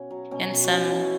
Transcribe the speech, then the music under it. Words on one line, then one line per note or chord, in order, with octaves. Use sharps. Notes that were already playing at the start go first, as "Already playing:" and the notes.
and some
Already playing: B2 B3 C#4 C#5
F#3
B2 C#4
B2 C#4
F#4
B2 C#4 E4
B2 C#4 E4